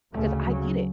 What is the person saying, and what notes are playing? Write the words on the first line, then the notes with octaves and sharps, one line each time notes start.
'cause I get it.
D2 C#3 A3
F#3